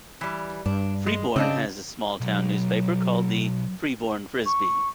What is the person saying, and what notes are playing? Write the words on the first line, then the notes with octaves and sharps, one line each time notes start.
Freeborn has a small town newspaper called the "Freeborn Frisbee".
E3 G3
G2 D4
G#3
C#3 C4 D4 D#5
B1 F#3
C#6